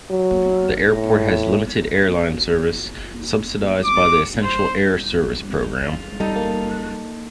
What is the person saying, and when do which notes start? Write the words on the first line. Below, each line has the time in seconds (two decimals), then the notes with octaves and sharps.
The airport has limited airline service, subsidized by the Essential Air Service program.
0.10 F#3
0.89 A2
3.84 D6
4.44 C5
6.20 G3 D#4 A4
6.36 A#3